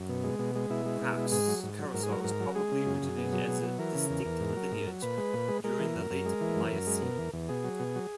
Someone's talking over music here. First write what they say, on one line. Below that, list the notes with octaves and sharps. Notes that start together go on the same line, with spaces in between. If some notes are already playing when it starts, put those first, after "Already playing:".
"Crax" curassows probably originated as a distinct lineage during the Late Miocene.
Already playing: F#2
B2
G#3
B2
G#3
B2 E4
G#3
B2
G#3
G#2 G#4
F#3
G#2
F#3
G#2 A#4
G#4
F#3 A#4
G#2 A#4
F#3
G#3 G#4
C#3
F#2
F#2
B2
F#3
B2
F#3
E3 A#4
C#3
E2
E2
G#2
F#3
G#2
F#3
A#2 B4
G#3
A#2
G#3
G#3 A#4
E3
F#2
F#2
G#3
E3
F#2
F#2
G#3
B2
E2
E2
B2 G#4
F#3
B2
F#3